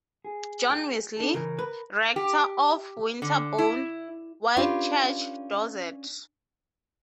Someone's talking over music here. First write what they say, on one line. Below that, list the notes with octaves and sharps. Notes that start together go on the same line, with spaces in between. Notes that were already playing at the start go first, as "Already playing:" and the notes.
John Wesley, rector of Winterborne Whitechurch, Dorset.
G#4
G5
D4 D#4 A4
C#3 E3 A#4
B4
G4
D3
E4
C#4 D4 F4 G4 B4